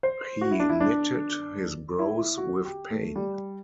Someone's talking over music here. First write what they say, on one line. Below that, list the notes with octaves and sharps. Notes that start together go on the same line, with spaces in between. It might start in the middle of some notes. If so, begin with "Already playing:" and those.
He knitted his brows with pain.
C5
F#4
E4
D4
E4
D4
E4
F#4
G4
A3
G3